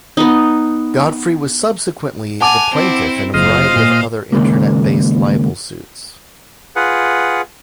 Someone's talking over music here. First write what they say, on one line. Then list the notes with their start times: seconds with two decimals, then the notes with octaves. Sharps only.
Godfrey was subsequently the plaintiff in a variety of other internet-based libel suits.
0.17 B3 D#4
2.41 F#5 G#5 A5 D6 F7
2.73 C4 E4
3.34 F#1 F4 C5 D#5 F5
3.76 A#2
4.32 D#2 G#2 C#3 G#3 A#3
6.76 F4 G#4 B4 F#5